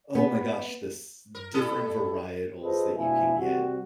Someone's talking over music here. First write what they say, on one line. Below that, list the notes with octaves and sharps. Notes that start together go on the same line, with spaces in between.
oh my gosh, this different varietals that you can get.
B3
A#4
G3 E4 A4
F4 G#4 A4 B4 C5 D#5
D2 B2 F3 E4 E5 G#5
C3 G3 C4 F#4